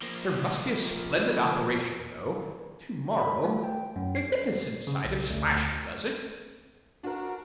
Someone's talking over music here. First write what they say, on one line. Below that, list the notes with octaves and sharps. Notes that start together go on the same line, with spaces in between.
There must be a splendid operation, though, to-morrow--magnificent sight if Slasher does it.'
F3 A#3
B5
A3
G5
F#2
C7
C#3
B1
D2
D4 F#4 A#4